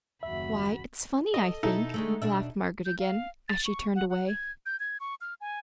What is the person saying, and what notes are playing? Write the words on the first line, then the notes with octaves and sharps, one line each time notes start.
"Why, it's funny, I think," laughed Margaret again, as she turned away.
F#1 D#2 F#4 E5 B5
A4 D#5
B2 D#4 E4 A4
D3 G#3 A3
B2 D4 E5
G6
F5
A6
C#6
F#5
F#5
G#6
G6
G#6
C#6
F6
G#5